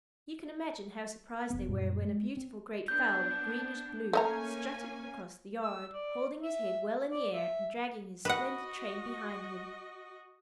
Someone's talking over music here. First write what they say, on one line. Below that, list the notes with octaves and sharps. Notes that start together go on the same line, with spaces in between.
You can imagine how surprised they were when a beautiful great fowl of greenish-blue strutted across the yard, holding his head well in the air and dragging his splendid train behind him.
F1 B3
F#2 A#2 G3
G#3
C4
B3 D4 G6
A3 A#3 C#4 D#5 G#5 A#5
E6
D5
E5
D5
E5
F#4 B4 D#5 F#5